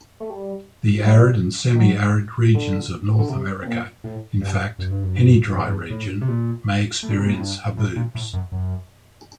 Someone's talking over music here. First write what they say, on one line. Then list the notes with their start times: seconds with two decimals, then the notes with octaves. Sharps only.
The arid and semiarid regions of North America-in fact, any dry region-may experience haboobs.
0.20 A3
0.30 G3
1.05 G3
1.75 D#3
1.79 F#3
2.55 D3
3.19 D3
3.29 C3
3.62 C3
3.67 A#2
4.04 A2
4.41 G2
4.79 F#2
4.91 G2
5.03 F#2
5.16 G2
5.28 F#2
5.53 G2
5.60 A2
5.67 G2
5.90 A2
6.21 C3
6.28 A#2
7.03 A2
7.11 D3
7.18 C3
7.25 A#2
7.33 A2
7.40 G2
7.77 A2
7.96 A#2
8.15 A2
8.33 F#2
8.52 F#2